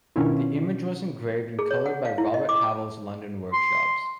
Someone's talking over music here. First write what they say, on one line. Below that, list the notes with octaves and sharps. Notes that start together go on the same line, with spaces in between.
The image was engraved and colored by Robert Havell's, London workshops.
B2 D#3 C#4 D4 E4 F4
G#4
C#5
F#5
F5
E4
D#5
D6
C6